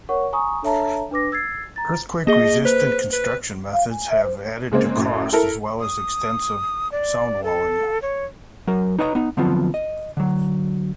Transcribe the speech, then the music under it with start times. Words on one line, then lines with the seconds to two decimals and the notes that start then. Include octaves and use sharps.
Earthquake resistant construction methods have added to costs, as well as extensive soundwalling.
0.09 A#4 C#5 F#5 C#6
0.33 G#5 A#5 C#6 D#6
0.62 D4 A4 C#5 E5 A5 A#5
1.11 D4 B4 D6 A#6
1.32 E6 G#6 A6 C7
1.76 A#5 A6
2.27 A#3 G#4 D#5 G7
2.65 B4 C5
3.12 B4
3.73 F5
3.90 G#5
4.10 E5
4.23 C5
4.72 C#3 G#3 A#3 C4
4.96 F#2 A2
5.33 E4 A4 A#4
5.80 D#6
6.92 D5
7.44 A4
8.02 C#5
8.67 F#3 A#4
8.99 D#4 B4 C#5 D#5 E5 A#5
9.15 B3 D#4
9.37 D3 F3 F#3 B3 C4 F4
9.74 D#5
10.17 D3 F#3